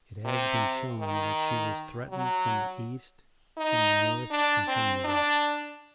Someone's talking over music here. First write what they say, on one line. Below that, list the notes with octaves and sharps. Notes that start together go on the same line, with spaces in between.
It has been shown that she was threatened from the east, from the north, and from the west.
C3
D#3
F#3
D#4
D4
C4
D4